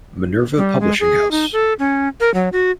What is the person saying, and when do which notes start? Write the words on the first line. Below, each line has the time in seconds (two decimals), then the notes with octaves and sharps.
Minerva Publishing House.
0.57 G3
0.80 G#3
1.00 G#4
1.31 D#4
1.53 A4
1.79 C#4
2.20 A#4
2.34 F#3
2.53 F#4